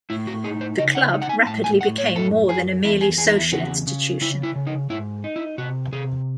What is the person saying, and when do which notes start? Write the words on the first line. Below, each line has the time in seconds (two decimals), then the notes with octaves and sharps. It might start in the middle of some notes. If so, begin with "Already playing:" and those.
The Club rapidly became more than a merely social institution.
0.10 A2 E4
0.27 F#4
0.44 D#4 G#4
0.61 C5
0.78 C#3 D#5
0.95 F#5
1.13 D#4
1.22 F#5
1.29 G#5
1.46 A2 A5
1.64 G#5
1.81 A2 F#5
1.98 C#5
2.15 F#2 A4
2.49 F#2 G#4
2.84 E2 E4
3.01 G#4
3.18 E2 G#4
3.27 D#4
3.36 E4
3.52 C#3 F#4
3.87 C#3
4.21 C#3 E4
4.43 E4
4.56 C#3
4.67 D#4
4.90 G#2 E4
5.24 D#4
5.36 E4
5.58 C3 F#4
5.93 C3 G#4